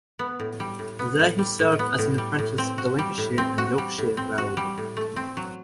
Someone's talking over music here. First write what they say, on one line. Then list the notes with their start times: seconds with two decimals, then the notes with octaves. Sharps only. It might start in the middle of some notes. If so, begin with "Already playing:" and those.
There he served as an apprentice with the Lancashire and Yorkshire Railway.
0.19 B3
0.39 A2
0.60 G3
0.79 A2
0.99 B3
1.19 A2
1.39 G3
1.59 A2
1.79 B3
1.98 A2
2.18 G3
2.39 A2
2.58 C4
2.78 F#4
2.99 G3
3.18 A2
3.38 C4
3.58 F#4
3.78 G3
3.98 A2
4.17 C4
4.38 F#4
4.57 G3
4.78 A2
4.97 A3
5.16 C4
5.37 F#3